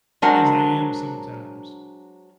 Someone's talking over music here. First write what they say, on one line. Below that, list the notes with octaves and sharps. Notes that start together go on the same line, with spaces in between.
as I am sometimes.
F#3 G#3 D4 A#4 C5 F#5